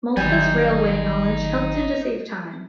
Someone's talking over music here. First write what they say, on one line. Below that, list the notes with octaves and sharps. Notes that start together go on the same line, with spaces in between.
Moltke's railway knowledge helped him to save time.
G#1 D#3 F#3 G3 D#4 G#5